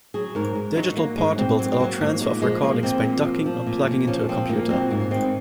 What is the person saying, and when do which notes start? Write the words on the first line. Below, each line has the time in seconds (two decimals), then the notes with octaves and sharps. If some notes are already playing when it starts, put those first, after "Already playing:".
Digital portables allow transfer of recordings by docking or plugging into a computer.
0.14 F#3 G#4
0.35 G#2 A#4
0.55 G#2
0.76 F#3 D#4
0.97 F#3 A#3
1.17 G#2 G#3
1.38 G#2 C4
1.59 F#3 C4
1.73 C4
1.80 F#3 A#3
2.00 G#2 A#3
2.21 A#2 G#3
2.42 F3 G#3
2.63 F3 A#3
2.83 A#2 C4
3.04 A#2
3.25 F3
3.46 F3
3.66 A#2
3.87 A#2
4.07 F3 C#4
4.29 F3 C4
4.49 A#2 A#3
4.70 F#3 C4
4.90 G#2 A#3
5.11 D#3 C4